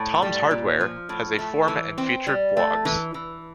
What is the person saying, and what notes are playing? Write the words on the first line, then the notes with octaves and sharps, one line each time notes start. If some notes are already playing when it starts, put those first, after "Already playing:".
"Tom's Hardware" has a forum and featured blogs.
Already playing: A2
G3
A#2
F3
A2
A3
E3
C4
G3
A3
E3
E3